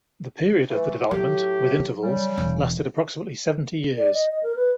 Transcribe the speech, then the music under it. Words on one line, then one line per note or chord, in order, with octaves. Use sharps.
The period of the development, with intervals, lasted approximately seventy years.
E3 A3
A2 F#3 G4
C#3 G3
E1
D5
D#5
D#5
A#4
B4